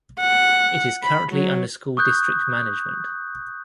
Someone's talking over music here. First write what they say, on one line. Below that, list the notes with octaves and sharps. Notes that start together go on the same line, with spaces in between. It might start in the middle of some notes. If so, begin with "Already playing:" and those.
It is currently under School District management.
F#5
B5
F#3
C#6 D#6 F#6 G6